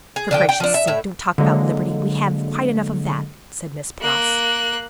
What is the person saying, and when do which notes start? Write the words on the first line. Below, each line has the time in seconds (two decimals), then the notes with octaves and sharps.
"For gracious sake, don't talk about Liberty; we have quite enough of that," said Miss Pross.
0.16 G#4
0.31 D3 F3 G5
0.49 G5
0.60 F3 D4
0.74 E5
0.87 A2 E5
1.38 D3 F#3 G#3 A#3
4.01 A#3 F#6